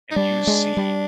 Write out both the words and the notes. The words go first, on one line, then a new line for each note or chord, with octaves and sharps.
and you see,
D#4
G3 D4
G#3
G3